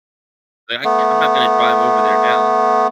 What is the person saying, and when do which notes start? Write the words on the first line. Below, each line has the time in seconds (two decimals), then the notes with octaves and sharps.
but I can't I'm not gonna drive over there now.
0.84 A3 B3